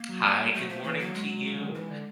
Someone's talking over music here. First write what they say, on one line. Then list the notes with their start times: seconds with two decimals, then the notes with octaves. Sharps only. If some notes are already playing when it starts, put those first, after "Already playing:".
Hi, good morning to you.
Already playing: A#3
0.09 F#3
0.24 G3
0.38 G3
0.54 F#3 A3
0.68 F3 A3
0.83 E3 A#3
0.99 F#3 A#3
1.14 G#3
1.54 C#3
1.61 D3
1.68 D#3
1.74 E3 G#3
1.90 D3